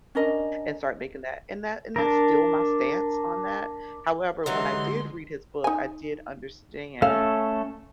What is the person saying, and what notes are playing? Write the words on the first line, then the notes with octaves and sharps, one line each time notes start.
and start making that And that and that's still my stance on that. However, when I did read his book, I did understand,
C#4 D4 A#4 D#5
D4 A#4
D3 E3 F#3 G#3 D#4 G4 C6
D#4 G#5
A3 C#4 A4 F5